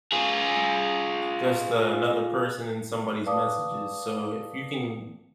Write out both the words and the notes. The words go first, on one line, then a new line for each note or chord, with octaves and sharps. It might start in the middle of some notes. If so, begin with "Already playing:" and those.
just another person in somebody's messages, so if you can
F4 G#4
B4 D5 F5 A5 D6 D#6